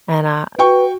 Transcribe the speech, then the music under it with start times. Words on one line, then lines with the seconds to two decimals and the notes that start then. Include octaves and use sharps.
and a
0.59 F#4 B4 G5 C#6